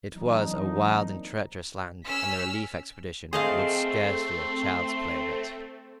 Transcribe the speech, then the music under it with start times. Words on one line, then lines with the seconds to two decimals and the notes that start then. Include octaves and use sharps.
It was a wild and treacherous land, and the relief expedition would scarcely have child's play of it.
0.14 E3 F#3 A#3 C4 D4 D#4
2.05 C#4 E6 F6 B6
3.33 A3 C4 G#4 D#5 F5 C6